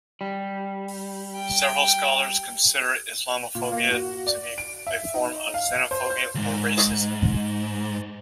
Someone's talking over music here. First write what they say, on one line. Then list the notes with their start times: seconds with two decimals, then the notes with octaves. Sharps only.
Several scholars consider Islamophobia to be a form of xenophobia or racism.
0.21 G3
1.35 G5
3.55 A#2
3.72 A#3
3.91 F#4
4.27 D5
4.58 D7
4.87 E5
5.14 D#4
5.54 F5
5.91 C5
6.10 G6
6.35 D2 G#2